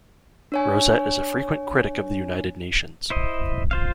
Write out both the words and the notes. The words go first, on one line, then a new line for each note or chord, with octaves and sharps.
Rosett is a frequent critic of the United Nations.
D4 C#5 G#5
E4 C5 D#5
F4 C5 F5